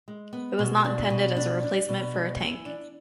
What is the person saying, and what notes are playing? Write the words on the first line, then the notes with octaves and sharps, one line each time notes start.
It was not intended as a replacement for a tank.
G#3
B3
B2
D4
B2
D4
D4
B2
G#3
E3
D4